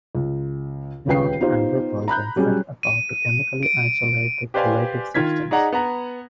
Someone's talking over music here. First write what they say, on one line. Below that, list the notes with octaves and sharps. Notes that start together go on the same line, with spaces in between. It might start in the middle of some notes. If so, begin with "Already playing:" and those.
Minot and Whipple then set about to chemically isolate the curative substance.
C#2
D#1 C#2 C#3 B4 G5 C7
B3 D#4 F4 G4 C5
A#5 B5 F#6 G6
F#3 G3 C#4 G#4
D#7
D7
G4 B4 C5 D5 F5 G#5
D#3 F4 G#6 B6
D#4 G#4 D5 F#5 A#5
B3 F#5 A#5